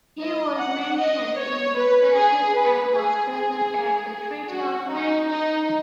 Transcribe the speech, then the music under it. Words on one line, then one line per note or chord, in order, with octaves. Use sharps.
He was mentioned in despatches and was present at the Treaty of Nanking.
D#5
F#5
D#5
C#5
B4
G#4
B4
G#4
G#4
G#4
F#4
D#4
D#4